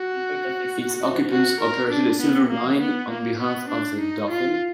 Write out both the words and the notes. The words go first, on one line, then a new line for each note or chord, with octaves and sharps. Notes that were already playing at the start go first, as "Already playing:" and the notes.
Its occupants operated a silver mine on behalf of the Dauphin.
Already playing: F#4
F#4
A#4
D4
B3
A#3
B3
A#3
B3
D4
D#4
F4